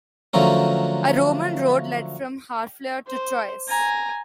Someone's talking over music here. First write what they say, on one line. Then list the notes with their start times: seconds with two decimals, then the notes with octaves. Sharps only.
A Roman road led from Harfleur to Troyes.
0.33 D3 F3 F#3 A3 C#4 A#4
3.07 C5
3.68 G#5 A#5